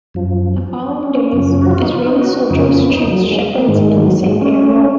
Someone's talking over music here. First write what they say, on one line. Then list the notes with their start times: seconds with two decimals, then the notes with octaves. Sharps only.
The following days, Israeli soldiers chased shepherds in the same area.
0.14 F#2 F3
1.03 C#4
1.33 F#2 C#3 F3
1.61 F#4
1.71 F4
1.82 D#4
1.92 F4
2.06 D#4
2.21 F#4
2.50 F2 C#3 F3 D#4
2.60 C#4
2.70 C#4
2.80 B3
2.94 D#4
3.09 F#3
3.24 G#3
3.58 A#3
3.67 G#2 D#3 G#3
3.97 F#3
4.26 G#3
4.41 C#4